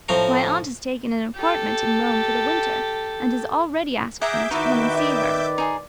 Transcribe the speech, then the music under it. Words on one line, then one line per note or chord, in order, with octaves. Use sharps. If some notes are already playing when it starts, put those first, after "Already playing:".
"My aunt has taken an apartment in Rome for the winter and has already asked me to come and see her."
A2 F3 C4 C#5 A#5 C#6
G4 A4
G#4 E5 F#5 A#5 D6 G6
D#3 D#4 E4 F#4 B4 D5
D5 D#5
D#4 G#4 C6